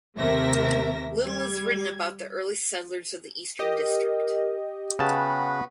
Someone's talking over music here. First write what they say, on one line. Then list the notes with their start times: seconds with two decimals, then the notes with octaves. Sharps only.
Little is written about the early settlers of the Eastern District.
0.18 D#2 C3 A3 A#4 E5 A#6
1.24 G3 G#6
3.59 G4 A#4 D#5
4.99 C#3 B3 F#4 B4 G5 A5